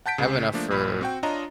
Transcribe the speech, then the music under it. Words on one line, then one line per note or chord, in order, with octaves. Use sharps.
I have enough for
F#5 A5 G6 B6 D7
C#2 C#3
F3 A3 A#3 D4
A#1 A#2 B5
C4 F#4 G5
D4 F4 C#5 D#5 A#5